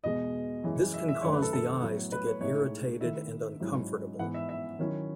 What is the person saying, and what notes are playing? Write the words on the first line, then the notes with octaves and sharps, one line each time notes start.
This can cause the eyes to get irritated and uncomfortable.
E2 B2 G#3 D#5
F#2 E3 G#3 C#4
E5
E5
F#2 D#3 A3 C#5
B4
A4
A4
A2 F#3 B3
B4
C#5
A2 G#3 D#4 C#5
D#3 A3 E4 E5
G#2 F#3 C#4 E4
G#2 E3 B3 E4 F#5
E5
E5
D#3 F#3 C#4 E4